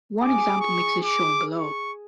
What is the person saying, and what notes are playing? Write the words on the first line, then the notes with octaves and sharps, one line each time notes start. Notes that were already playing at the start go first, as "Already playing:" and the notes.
One example mix is shown below.
G#4 D6
C#6
D6
C#6